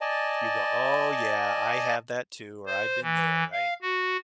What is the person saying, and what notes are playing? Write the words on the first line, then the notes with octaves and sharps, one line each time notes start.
You go, "Oh yeah, I have that too," or, "I've been there," right?
D5 D#5 G#5 A5
C5
E3
F5
F#4